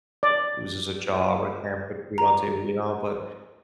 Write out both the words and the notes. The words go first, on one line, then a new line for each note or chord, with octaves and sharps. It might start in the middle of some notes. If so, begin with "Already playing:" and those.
loses a job or can't put food on table, you know, but
D5
A#5